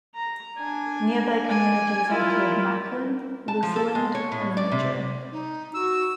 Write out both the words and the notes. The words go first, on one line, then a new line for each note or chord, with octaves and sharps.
Nearby communities include Macklin, Luseland and Major.
A#5
D4 G#5
D5 G#5
E4 F4 A#4
A5
F3
A4
G#3
C#5
A2
D5
C3
D#4
F#4 E6